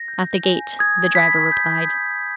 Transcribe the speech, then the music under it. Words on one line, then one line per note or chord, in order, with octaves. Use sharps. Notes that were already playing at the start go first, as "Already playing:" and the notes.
'At the gate,' the driver replied.
Already playing: A#6
G6
G#5
D#6 G#6
B5 B6
G6
G6